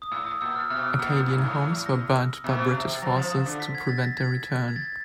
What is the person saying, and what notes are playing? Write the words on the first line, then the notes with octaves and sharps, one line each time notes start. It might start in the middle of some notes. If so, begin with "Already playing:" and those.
Acadian homes were burnt by British forces to prevent their return.
D#6
A2 E6
D#6
A#2 E6
F6
B2 F6
A#2
A2
G#2
A2
A#6
B2
C#3
C3
A6
F#3 A#6
F#3
F3
F3
D3
B6
G#6
A6
A#6
G#6
G#6
A6